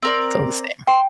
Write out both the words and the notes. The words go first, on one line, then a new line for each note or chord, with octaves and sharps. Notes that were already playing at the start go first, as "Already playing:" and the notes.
it's all the same
C4 A#4 D5
G5 C6